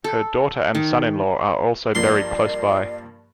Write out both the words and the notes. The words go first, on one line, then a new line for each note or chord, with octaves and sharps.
Her daughter and son-in-law are also buried close by.
A4
D#3
G2 F3 A#3 D5 C6